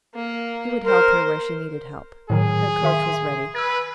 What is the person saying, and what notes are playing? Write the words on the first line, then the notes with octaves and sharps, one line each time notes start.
He would help her where she needed help; her coach was ready.
A#3
A#4 C5
A2 D#3 F#3 G#4
D#3 E5 C6
B4 E6 G#6